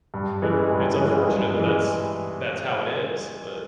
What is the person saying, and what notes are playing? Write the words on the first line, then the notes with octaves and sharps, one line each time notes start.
it it's unfortunate that that's that's how it is, but
G2
E3 G#3
G2
E3 G#3
G2
E3 G#3